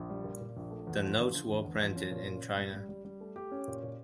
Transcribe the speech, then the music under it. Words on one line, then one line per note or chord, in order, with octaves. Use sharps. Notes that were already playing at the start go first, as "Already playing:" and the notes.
The notes were printed in China.
Already playing: A#1
G3
A#2
A#2
A#1
A3
E2
F3
D3
D3
E2
E2
F3
C#4
A#2
C#4
A#2
G3
G3
G3
G3
A3
G4
C#4
A#2
A#2